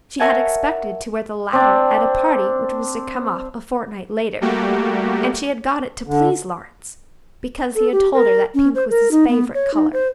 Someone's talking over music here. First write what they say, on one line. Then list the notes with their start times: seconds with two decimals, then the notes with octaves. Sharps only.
She had expected to wear the latter at a party which was to come off a fortnight later, and she had got it to please Lawrence, because he had told her that pink was his favourite colour.
0.20 A#4 C#5 E5 F#5 G#5 A5
1.53 C4 D4
4.41 G3 A3 A#3 F#4 G4
6.07 D3
7.75 A4
7.92 G4
8.13 A#4
8.54 C#4
8.75 C5
8.90 A#4
9.11 D#4
9.28 B3
9.54 C#5
9.74 D#4
9.93 C5